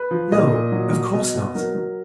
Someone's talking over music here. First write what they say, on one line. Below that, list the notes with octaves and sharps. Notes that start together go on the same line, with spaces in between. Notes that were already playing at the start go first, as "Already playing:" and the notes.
"No, of course not."
Already playing: B4
F3
A#2 D#5
A#2
F#3
F#3
B2 D#5
B2
F#3 A#4
F#3